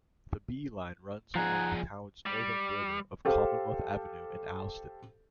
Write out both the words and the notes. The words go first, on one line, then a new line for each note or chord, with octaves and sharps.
The B line runs along the town's northern border of Commonwealth Avenue in Allston.
F3 D#4 G#4 F#5 G#5
G3
G4 A4 C5 F5